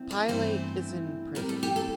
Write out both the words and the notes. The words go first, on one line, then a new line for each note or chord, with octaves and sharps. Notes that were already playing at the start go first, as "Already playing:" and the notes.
Pilate is imprisoned.
Already playing: E2 C4
D5
G2 E3 A3 C4 C5
A2 G3 C4 A#4
A4
G4
A4